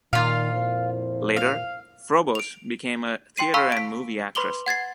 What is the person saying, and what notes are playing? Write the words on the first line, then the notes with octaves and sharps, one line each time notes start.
Later, Froboess became a theatre and movie actress.
A#2 D#3 F4 F5
F2 E4 C5
F5
D7 F7
G5 C6 C7 D#7
F5 A5 B5 C#6 E6
B6 D7
B4 B5 C6 D6 F#7 G7
F#5 G#6 A6 C7